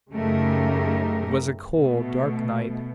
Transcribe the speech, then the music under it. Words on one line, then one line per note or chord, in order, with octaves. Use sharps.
It was a cold, dark night.
F#2 C#3 A3 D#4 G4 A#4
B2 A3